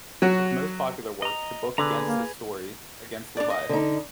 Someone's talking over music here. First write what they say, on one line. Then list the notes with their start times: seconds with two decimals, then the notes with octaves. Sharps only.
His most popular work, the book Against His-Story, Against Leviathan!
0.22 F#3 F#4
1.22 D#5 A#5
1.78 D3 G#4 B4 A#5
2.06 A#3
3.37 D4 D5
3.50 D#5
3.69 D3 D#4